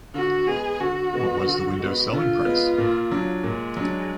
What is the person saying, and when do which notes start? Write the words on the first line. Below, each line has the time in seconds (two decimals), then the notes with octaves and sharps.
What was the window’s selling price?
0.14 D3 F#4
0.47 G#3 B3 G#4
0.80 D3 F#4
1.13 G#3 B3
1.46 D3
1.79 G#3 B3
2.12 D3 F4
2.45 G#3 B3
2.78 A#2
3.11 F#3 D4
3.43 A#2 G#3
3.77 F#3 D4